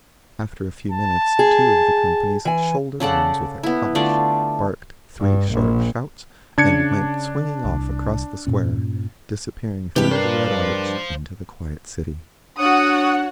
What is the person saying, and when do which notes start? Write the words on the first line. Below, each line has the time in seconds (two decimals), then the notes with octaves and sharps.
After a few minutes two of the companies shouldered arms with a clash, barked three sharp shouts, and went swinging off across the Square, disappearing through the Red Arch into the quiet city.
0.92 A5
1.39 G#4
2.45 E3 G#5
3.00 C#3 A4 D5 F#5
3.63 B3 E4
3.95 D3 A3 F4 D5
5.20 G2
5.52 A#1
6.58 C#3 D4 G#6 C#7
7.65 C2
8.47 G2 A#2 C#4
9.96 G2 C3 E3 G#3 G4 B4
10.11 D4 A#4 C5 F5
12.58 D4 F#4 C#5 F#5 D#6